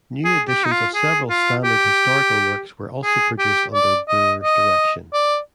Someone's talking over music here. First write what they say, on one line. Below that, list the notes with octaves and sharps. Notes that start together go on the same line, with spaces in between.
New editions of several standard historical works were also produced under Brewer's direction.
G#4
G4
D#4
F4
G#4
F4
G4
G#4
G4
D5
D#5
D#5
D5